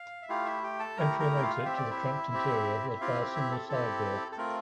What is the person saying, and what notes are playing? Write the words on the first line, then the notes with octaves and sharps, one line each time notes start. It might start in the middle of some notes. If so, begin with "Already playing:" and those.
Entry and exit to the cramped interior was by a single side door.
Already playing: F5
E5
A3 E4 F4 G4 F5
E4 E5
G4 G5
A4 A5
A3 E4 G4 A#4 A#5
A#4 A#5
G5
F4 F5
C4 G4 E5
D5
E4 E5
C4 G4
E5
C4 E4 F4 G4 F5
E4 E5
A4
C4 E4 G4 A4
A4
A3 C4 F4 A#4